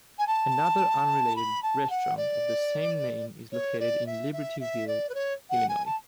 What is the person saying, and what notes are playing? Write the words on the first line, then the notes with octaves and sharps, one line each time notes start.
Another unrelated restaurant of the same name is located in Libertyville, Illinois.
G#5
A5
B5
A5
F#5
D5
C#5
D5
E5
E5
E5
D5
B4
C#5
F#5
G#5
A5